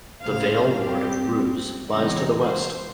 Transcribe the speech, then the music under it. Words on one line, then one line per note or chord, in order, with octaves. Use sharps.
The Vale ward of Rhoose lies to the west.
A2 C#3 F3 C5 F5
G3 C4 G4
C4
E2 C#3 G#3 C4 D#4
C5